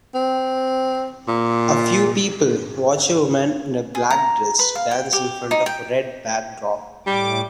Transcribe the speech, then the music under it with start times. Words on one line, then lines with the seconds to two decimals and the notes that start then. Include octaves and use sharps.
A few people watch a woman in a black dress dance in front of a red backdrop.
0.15 C4
1.28 A#2
3.95 G#4
4.10 A#5
4.59 B4
4.75 F5
4.91 G5
5.13 G4
5.51 D#4
5.66 G5
7.07 A2 G3 D6